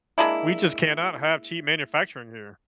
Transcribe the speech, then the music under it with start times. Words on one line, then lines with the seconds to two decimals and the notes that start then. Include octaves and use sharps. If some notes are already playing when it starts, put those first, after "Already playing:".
We just cannot have cheap manufacturing here.
0.18 G#3 A#3 D4 E4